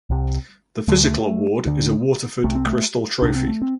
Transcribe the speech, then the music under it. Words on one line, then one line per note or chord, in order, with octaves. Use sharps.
The physical award is a Waterford crystal trophy.
C2 C3
D2 D3 A3
G3
A3
D2 D3
C2 C3 A3
C4
A3
C2 C3 D4
C4
A3
C4